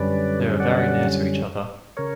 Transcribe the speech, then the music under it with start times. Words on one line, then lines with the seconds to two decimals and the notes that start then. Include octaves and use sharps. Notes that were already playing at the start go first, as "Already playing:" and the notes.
They were very near to each other.
Already playing: F#2 D3 G3 C#4 B4 D5
0.60 D5 F#5
1.97 C#3 A#4 C#5